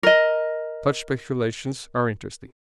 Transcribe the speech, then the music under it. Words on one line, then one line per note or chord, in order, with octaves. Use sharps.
Such speculations are interesting.
A#4 D#5